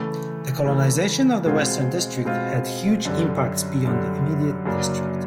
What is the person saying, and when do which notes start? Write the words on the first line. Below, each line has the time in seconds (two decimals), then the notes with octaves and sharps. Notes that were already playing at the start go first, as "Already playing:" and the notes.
The colonization of the Western District had huge impacts beyond the immediate district.
Already playing: C#3 E3 A3
0.65 C#3 E3 A3
1.46 B2 G#3 C4 F4
2.25 B2 G#3 C4 F4
3.05 F#2 D3 G3
3.85 F#2 D3 G3
4.65 F#2 C#3 F#3 A#3 D4